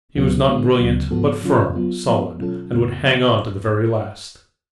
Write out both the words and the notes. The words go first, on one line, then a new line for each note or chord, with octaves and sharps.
He was not brilliant, but firm, solid, and would hang on to the very last.
C#2 B2 F#3 B3 F#4
D3 G#3 B3 F#4
D2 C#3 F#3 B3
G#2 F3 B3 F#4 A4
C#3 F#3 C#4 F4
F#3 B3 F4
F3 G#3 B3
B2 F#3 C#4 F4 A4
F2 C#3 G#3 B3 F#4
C#3 F3 B3